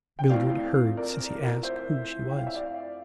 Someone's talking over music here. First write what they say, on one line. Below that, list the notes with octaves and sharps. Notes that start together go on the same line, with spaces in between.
Mildred heard Cissy ask who she was.
G5
F2 E3 A3 C4 D5 F5
A#4 D5
C5 E5
G5
F5
E5
D5 F5